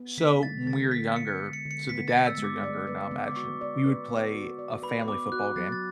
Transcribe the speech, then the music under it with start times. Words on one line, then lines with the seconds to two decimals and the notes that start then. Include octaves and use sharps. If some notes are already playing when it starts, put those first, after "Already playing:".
So when we were younger so the dads are younger now, imagine, we would play a family football game
Already playing: B3
0.18 D3 B6
0.43 G#3 A6
0.67 D3 A6
0.91 B3 B6
1.16 D3 C#7
1.40 G#3
1.53 C#7
1.65 D3
1.71 C#7
1.89 B3 B6
2.08 A6
2.14 D3
2.27 E6
2.38 G#3
2.44 D6
2.63 D5
2.87 B4
3.11 B3
3.28 D6
3.36 F#4 C#6
3.61 D5
3.85 B4
4.10 B3
4.34 F#4
4.59 D5
4.83 B4 B5
5.07 B3 D6
5.32 F#4 F#6
5.56 F#3 A6
5.72 A6